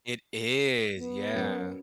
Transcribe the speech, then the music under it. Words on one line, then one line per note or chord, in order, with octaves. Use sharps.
It is. Yeah.
B3
F#2